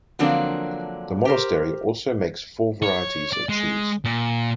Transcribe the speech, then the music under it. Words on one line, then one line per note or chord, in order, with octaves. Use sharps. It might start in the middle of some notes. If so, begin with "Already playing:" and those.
The monastery also makes four varieties of cheese.
D3 F3 F#3 A#3 C4 D4
G4 A#4 C5
C#5
D5
G#3
A#2